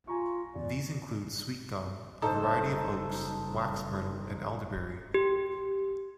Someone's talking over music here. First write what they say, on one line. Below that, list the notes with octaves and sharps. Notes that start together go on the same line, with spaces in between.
These include sweetgum, a variety of oaks, wax myrtle, and elderberry.
F4 G#5 A#5 C#6
E2 D5
F#1 G2 D#4 A4 C5
G4